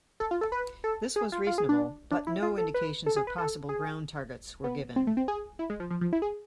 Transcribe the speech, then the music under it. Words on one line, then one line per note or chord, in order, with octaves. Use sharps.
This was reasonable, but no indications of possible ground targets were given.
A4
F4
A4
B4
A4
G#4
F4
F4
G#4
D4
D4
E4
F4
A4
B4
A4
G#4
B4
A4
G#4
B3
C4
A3
C4
G#4
E4
G#3
F3
F3
F3
E4
G#4